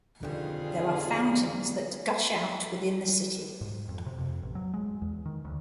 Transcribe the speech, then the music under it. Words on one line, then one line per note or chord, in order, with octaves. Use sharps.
There are fountains that gush out within the city.
F2 B2 D3 D#3 G3 F4 G#4
G#2
F2
C3
F2
A1
F#3
G#3
E2
D#3
D2